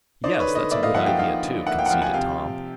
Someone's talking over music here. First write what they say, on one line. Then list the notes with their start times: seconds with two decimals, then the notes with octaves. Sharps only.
"Yes, that's a good idea, too," conceded Tom.
0.24 D#4 C5 D5
0.39 B4 C#5
0.48 D3
0.55 C#5 D#5
0.71 A#3 D5 E5
0.83 D#5 F5
0.95 F3 E5 F#5
1.06 F5 G5
1.18 D#4 F5 G5
1.43 D3
1.67 A#3 E5 F#5
1.79 F5 G5
1.86 F#5
1.90 F3 F5 G5
2.02 F#5 G#5
2.14 C3 F5 G5
2.38 C3